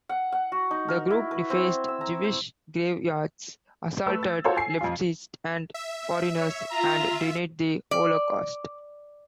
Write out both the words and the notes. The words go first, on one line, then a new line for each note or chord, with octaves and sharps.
The group defaced Jewish graveyards, assaulted leftists and foreigners, and denied the Holocaust.
F#5
F#5
F#4
D#4
A#4
E4
B4
C4
E6
A#5
C5
A3 B4 E6
A6
F4 F#4 A4 C5 C#5 F5
G#5 C7
F2 F4
E5
C#5
F4 A#5
D5